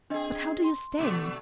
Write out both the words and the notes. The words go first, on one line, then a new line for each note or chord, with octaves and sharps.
'But how do you stand?
C4 D4 G#4 D#5
C6
B2 D3 A3